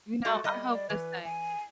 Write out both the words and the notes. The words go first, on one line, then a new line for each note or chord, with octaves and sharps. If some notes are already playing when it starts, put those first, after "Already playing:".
You know, I hope the same.
G#3 A3 F#4
G3 D#5
D5
E3 B4
G#5